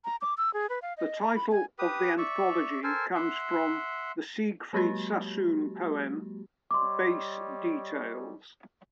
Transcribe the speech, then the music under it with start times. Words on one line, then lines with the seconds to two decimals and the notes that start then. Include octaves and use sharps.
The title of the anthology comes from the Siegfried Sassoon poem Base Details.
0.05 A#5
0.21 D6
0.37 E6
0.54 G#4
0.69 B4
0.82 F5
0.97 D#5
1.21 A#5
1.36 B5
1.51 G#5
1.79 G4 B4 D#6
2.18 D5 E5 C#6
2.84 A4 A#4 C5 G#5
3.15 E5 F#5 C6
4.73 F#3 G#3 A#3 F#4 G4
6.71 G3 C#5 D#5 C6 D6